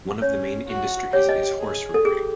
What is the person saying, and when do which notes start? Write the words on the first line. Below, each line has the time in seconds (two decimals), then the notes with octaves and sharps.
One of the main industries is horse-rearing.
0.21 C#4 C#5
0.68 F#4
1.13 G4 C#5
1.29 D#5
1.59 G#4
1.94 A4
2.05 G4 G#4